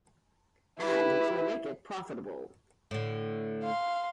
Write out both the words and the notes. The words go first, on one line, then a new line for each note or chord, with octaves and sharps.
And we will make it profitable.
E4 G4 B4
A2 D3
F5 C6